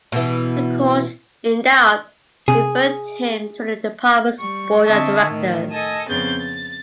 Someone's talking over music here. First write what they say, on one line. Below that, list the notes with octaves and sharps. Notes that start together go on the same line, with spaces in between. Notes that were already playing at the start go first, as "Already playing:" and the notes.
The court, in doubt, referred him to the Department's Board of Directors.
B2 E3
C3 G#4
G3 C#6
D3 C4 D#5 E5 A5 C#6
A2 D#3
A4 D#5 G#5 A5
F2 C#3 B3 C4 G6 A6
A6